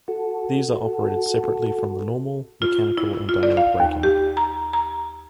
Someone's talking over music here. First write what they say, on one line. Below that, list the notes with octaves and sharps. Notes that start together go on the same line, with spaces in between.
These are operated separately from the normal mechanical and dynamic braking.
F#4 A4
F4
E4
F4
D5
F5
D#2
G4
A#5
A#5